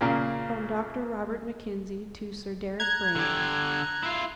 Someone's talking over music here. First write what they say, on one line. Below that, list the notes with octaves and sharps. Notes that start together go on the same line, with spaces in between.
From Dr. Robert Mackenzie to Sir Deryck Brand.
A#2 C#3 A#3
A#5 F#6 G#6
D3 G4
E4 F4